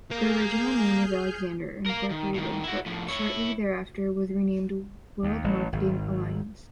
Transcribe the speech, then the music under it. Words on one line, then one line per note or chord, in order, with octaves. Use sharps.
The original name was Alexander, Incorporated but shortly thereafter was renamed World Marketing Alliance.
A#3 G#4 A#4 F6 G6
A#4 F5
D#3
A2 D#3
E4 F#4
A2 F3
E4 C#5
D#2
A1
G#1